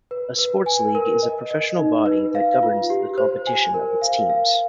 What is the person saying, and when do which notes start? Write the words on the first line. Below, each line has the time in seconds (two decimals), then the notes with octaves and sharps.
A sports league is a professional body that governs the competition of its teams.
0.11 B4
0.39 B4
0.66 G#5
0.95 A#4
1.23 D#5
1.51 D#5
1.79 D#4
2.06 B4
2.35 F5
2.63 F4
2.90 G4
3.18 C5
3.47 G#5
3.74 A#4
4.02 F5
4.30 F5